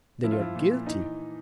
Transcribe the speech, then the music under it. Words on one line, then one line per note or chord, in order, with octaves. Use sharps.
"Then you are guilty."
F3 E4
F4
F3 E4
A#2
A#2
E3 D#4